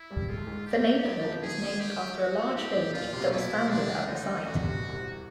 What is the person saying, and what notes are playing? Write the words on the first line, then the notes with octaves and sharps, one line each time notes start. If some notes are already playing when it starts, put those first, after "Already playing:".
The neighborhood is named after a large village that was founded at the site.
Already playing: E4
G2 G3
G#3 F4
A3
G#2 G#3
G4
F#2 F#3
F2 F3
D#2 D#3 G#4
D2 D3
G4
F#4
A2 G4
A2
A#1 A#2 F4
C3
B2
A#2
B1 B2 E4
C2 C3 D4
C#2 C#3
D2 D3 D#4
D2 D3
D2 D3 F#4
C3
B2
C2 C3